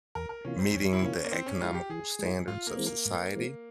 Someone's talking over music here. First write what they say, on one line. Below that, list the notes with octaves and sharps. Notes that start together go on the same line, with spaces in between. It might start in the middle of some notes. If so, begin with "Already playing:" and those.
meeting the economical standards of society,
E2 A#4
A#4
C3 E3 A#3 C#4 F4
C4
E2 C#4
E4
C3 E3 A#3 C#4 F4
A#3
E3 C4
C#4
G#3 E4 F4
G4
E3 G#4
G#3 E4
G#2 F4
A#3
E3 G#3 C4
A#3
G#2
E3 G#3 C4